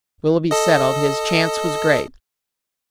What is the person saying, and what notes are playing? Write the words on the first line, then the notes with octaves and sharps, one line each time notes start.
Willoughby settled, his chance was great.
A4 D#5